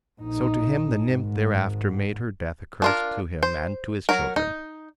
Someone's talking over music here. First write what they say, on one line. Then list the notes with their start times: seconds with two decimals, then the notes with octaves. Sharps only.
So to him the nymph thereafter made her death a curse, to him and to his children.
0.20 A#1 D#4
1.06 G#1 G#2
2.82 D4 F4 A#4
3.43 C5
4.09 F#3 F#4 A#4
4.36 D#4